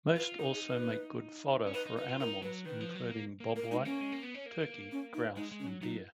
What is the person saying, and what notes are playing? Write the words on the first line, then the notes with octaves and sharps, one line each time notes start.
Most also make good fodder for animals including bobwhite, turkey, grouse and deer.
F4 B4
D#4 A#4
G#4
B4
C#4
D#4 B4
D#4
D#4 B4
F4
D#4 A#4
F#3 B4
D#3 B4
F3
F#3
A#3
A#3
A#3 A#4
G#3 D#4
A#3 C#4
G#3
A#3
B3
C#4
A#3
C#4
D#4
G#3 D#4
G#3
C#4
F#3
F#3 D#4